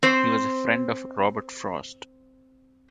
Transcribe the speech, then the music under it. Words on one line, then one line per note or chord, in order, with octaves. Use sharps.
He was a friend of Robert Frost.
C4 C5